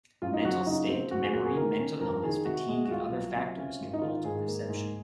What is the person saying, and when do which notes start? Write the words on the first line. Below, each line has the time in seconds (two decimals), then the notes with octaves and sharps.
Mental state, memory, mental illness, fatigue, and other factors can alter perception.
0.22 F#2 F4
0.33 D#4
0.45 F#3 F#4
0.56 F4
0.66 C#3 D#4
0.89 C4
1.11 F#2 F#4
1.22 G#4
1.34 A#3 F#4
1.45 G#4
1.56 D#3 A#4
1.79 C#4
2.01 F2 A#4
2.23 D#3 G#4
2.45 C3 F#4
2.69 G#3
2.85 F#4
2.91 C2 F4
3.13 F#3
3.36 C3
3.58 C#4
3.81 G#1
3.93 D#4
4.02 D#3 F4
4.24 G#2 G#4
4.48 A#3
4.69 G#2